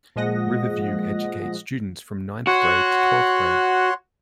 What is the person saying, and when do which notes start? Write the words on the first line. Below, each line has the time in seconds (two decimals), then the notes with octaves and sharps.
Riverview educates students from ninth grade to twelfth grade.
0.16 A#2 F3 G#3 D#5 F#5 A#6
2.47 F#4 C#5 F#5 C6